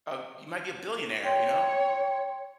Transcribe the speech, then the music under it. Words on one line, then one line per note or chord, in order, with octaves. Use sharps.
uh, you might be a billionaire, you know?
C#5 G5 C6